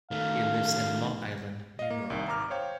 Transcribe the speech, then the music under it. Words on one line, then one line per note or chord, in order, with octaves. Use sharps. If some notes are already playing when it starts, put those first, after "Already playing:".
He lives in Long Island, New York.
D#3 A3 F5
D#5 F5
A#3
C2 D#3
G#1 A#5 D6 F6
C5 C#5 F5 G5